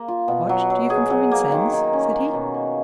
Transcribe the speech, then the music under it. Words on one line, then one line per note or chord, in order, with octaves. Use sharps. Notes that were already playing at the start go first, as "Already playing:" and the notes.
"What, do you come from Vincennes?" said he.
Already playing: A#3
F4
B2
F#3
F#3
G#4
F#3
A#3
D#3
D#3
C#4
F#4
B2
A#3